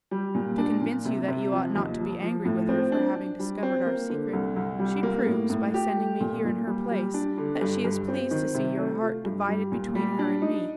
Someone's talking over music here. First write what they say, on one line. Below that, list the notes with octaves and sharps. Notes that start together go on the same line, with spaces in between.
To convince you that you ought not to be angry with her for having discovered our secret, she proves, by sending me here in her place, that she is pleased to see your heart divided between her and me.
G3
A#2
D4
A#2
C3
C3
F3
D#2
F3
F3
A2
C4
D4
D4
G3
C4
A#3
D3
C2
C2
G3
A#3
A2
A2
G4
A3
A#2
A#2
G3
G3
D4
D3
G2
G2
C4
D#3
C3
A3
F4
G2
G3
A#2
G3
D4
D#4